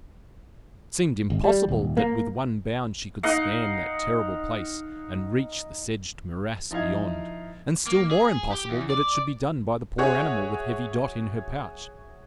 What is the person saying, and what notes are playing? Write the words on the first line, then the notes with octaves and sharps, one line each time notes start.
It seemed impossible that with one bound she could span that terrible place and reach the sedged morass beyond; and still more impossible that it should be done by the poor animal with heavy Dot in her pouch.
G#1
G3
D#1
A#3
D#4 D#5 F5 F#5
F3 D#4 E4 F5 G#6
A#3
G#4
G4
E2
D5
F#4 G#4 C#5 E5 F#5 G#5